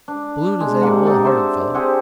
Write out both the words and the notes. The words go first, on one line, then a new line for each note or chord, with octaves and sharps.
Balloon is a whole-hearted fellow.
D4
G#3
G#2 C3 A#3 F#5
D4 D#4 A4 D5
C5 E5
C4 G4 G#4 F#5